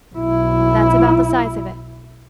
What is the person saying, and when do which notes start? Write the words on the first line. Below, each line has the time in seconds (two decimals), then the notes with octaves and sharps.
"That's about the size of it."
0.15 B1 E4